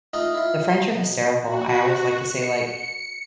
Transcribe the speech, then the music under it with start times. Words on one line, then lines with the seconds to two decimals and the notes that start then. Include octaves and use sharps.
the French are hysterical. I always like to say, like,
0.13 A3 D#4 F4 D#5
0.34 E4 F4
0.70 C6
0.90 B2
1.44 F#4
2.27 C#7